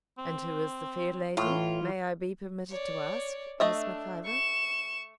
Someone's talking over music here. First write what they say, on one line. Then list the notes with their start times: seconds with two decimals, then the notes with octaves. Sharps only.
'And who is the fair lady, may I be permitted to ask, Miss Mac- Ivor?'
0.18 C4
1.37 A2 E3 F4
2.69 C#5 D5
3.60 A3 D4 D#5 E5
4.25 C#6 E7